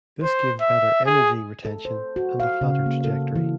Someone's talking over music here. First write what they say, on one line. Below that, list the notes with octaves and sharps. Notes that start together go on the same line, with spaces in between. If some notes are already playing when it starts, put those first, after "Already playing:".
This gave better energy retention and a flatter trajectory.
C5
E5
G#4
A4
C5
F#4
F5
C#3
A#3
A4
E3